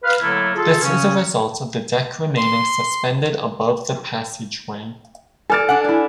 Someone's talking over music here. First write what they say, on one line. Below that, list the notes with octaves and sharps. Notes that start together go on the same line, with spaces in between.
This is a result of the deck remaining suspended above the passageway.
B4 F5
D3 F#3 A3 A#3 E4
F4 G#4 A4
C#3 C#4
C6
A4 D5 G#5 F6 A6
D4 F#5
E4 D5